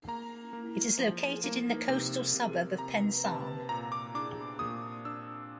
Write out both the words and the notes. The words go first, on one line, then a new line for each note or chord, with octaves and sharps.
It is located in the coastal suburb of Pensarn.
A#3 A#5
A#3
F3
A#3
C3
C3
C3 A#5
C3 A5
A#2 A#5
D6
D4 D6
A#2 D#6
D4 E6